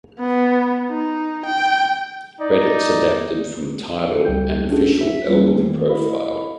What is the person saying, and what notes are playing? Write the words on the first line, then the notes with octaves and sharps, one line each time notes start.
Credits adapted from Tidal and official album profile.
B3
D#4
G5
D#4 D5
C#2 G3 G5 G6
C#4 D4 F4 F#4 G#4 A4
E5 B6
G3 A#3 C#4 F4 B4
D#3 A3 C4
E4 D#5 F5 B5